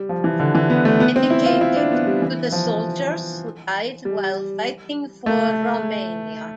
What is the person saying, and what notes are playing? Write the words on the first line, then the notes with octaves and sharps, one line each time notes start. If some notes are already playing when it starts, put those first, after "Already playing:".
Dedicated to the soldiers who died while fighting for Romania.
Already playing: G3
F3
E3
D3
E3
B3
A3
B3
C4
E4
F4
E4
D4
B3
G3
E3
F3
G3
A3